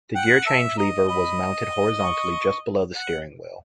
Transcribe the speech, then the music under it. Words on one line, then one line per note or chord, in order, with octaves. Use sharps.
The gear change lever was mounted horizontally just below the steering wheel.
F#5 G5
E5 A5
D#5 A#5
D#5 B5
C#6
F#5